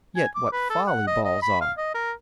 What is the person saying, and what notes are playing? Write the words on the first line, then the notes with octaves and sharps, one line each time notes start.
Yet what folly balls are!
G#5
D6
B4
A4
F#5
D#5
D#5
B5
F5
D#5
A#4